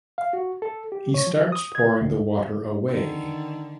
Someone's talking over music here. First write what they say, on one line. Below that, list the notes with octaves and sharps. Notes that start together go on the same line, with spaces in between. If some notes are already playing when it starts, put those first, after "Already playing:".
He starts pouring the water away.
F5
F#4
A4
G4
C#5
F3
D#6
G#6
D2
D3 D#3